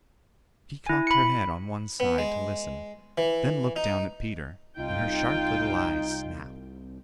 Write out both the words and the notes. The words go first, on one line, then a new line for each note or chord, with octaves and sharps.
She cocked her head on one side to listen, then looked down at Peter, and her sharp little eyes snapped.
E4 G#5
B5 C#7
B3
G#3
E3
D#4
C2 D#4 F4 G5